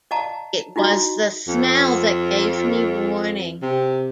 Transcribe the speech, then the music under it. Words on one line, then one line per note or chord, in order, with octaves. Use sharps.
It was the smell that gave me warning.
D5 D#5 F5 A5 A#5
D#4 E4 F#4 D#5
F2
C3